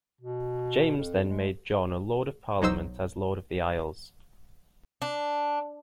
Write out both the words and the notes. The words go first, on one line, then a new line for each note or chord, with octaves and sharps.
James then made John a Lord of Parliament as Lord of the Isles.
B2
F2
G#3
B1 F#3 D#4 C5 E6
D4